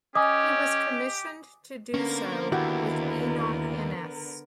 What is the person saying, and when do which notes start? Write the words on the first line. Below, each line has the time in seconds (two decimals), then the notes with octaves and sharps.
He was commissioned to do so with Enoch Innes.
0.15 C#4 G4 D#5 G#5 D6 D#6
1.94 D3 A#3 B3 C#4 A#4
2.52 D#2 E4 F#4 G4